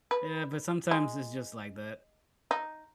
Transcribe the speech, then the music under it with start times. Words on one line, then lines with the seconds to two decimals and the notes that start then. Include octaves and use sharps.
Yeah, but sometimes it's just like that.
0.11 B4
0.91 G#3
2.51 D#4